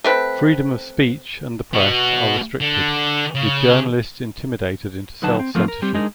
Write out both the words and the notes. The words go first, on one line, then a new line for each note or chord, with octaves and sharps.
Freedom of speech and the press are restricted, with journalists intimidated into self-censorship.
A3 C4 B4
B3 F#4
D3
C#3
D3 F#3 D#4 B4 F#5 A5
C4
F3 F#3 A3 A#3 C4 F4
A#4
G3 C4 G4
G#3 D4 D#4 G#4 A#4